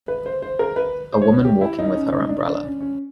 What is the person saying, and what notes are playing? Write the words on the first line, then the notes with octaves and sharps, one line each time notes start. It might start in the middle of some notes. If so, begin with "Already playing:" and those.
A woman walking with her umbrella.
B4
C5
C5
A#4
B4
C5
C#5
G4
E4
D#4
C#4
D#4
D4
D4
C#4
C#4